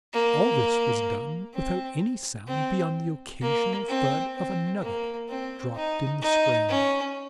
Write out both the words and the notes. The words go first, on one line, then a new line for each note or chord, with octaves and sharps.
All this was done without any sound beyond the occasional thud of a nugget dropped in the scramble.
A#3
C4
C4
A#3
C4
C4
A#3
C4
D#4
D#4
C#4